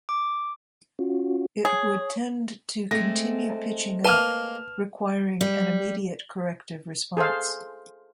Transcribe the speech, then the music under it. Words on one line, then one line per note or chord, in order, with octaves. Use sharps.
It would tend to continue pitching up, requiring an immediate corrective response.
D6
C#4 F4 F#4
G#4 C#5
G#3 A3 C4 A#6
A#3 B4 A5 C6 F6 E7
G3
G#4 A4 C5 F5